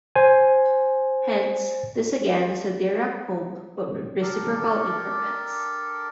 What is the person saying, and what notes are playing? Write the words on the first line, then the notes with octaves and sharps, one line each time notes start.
Hence, this again is a Dirac comb but with reciprocal increments.
C5 G#5
D4 G4 A4 A#4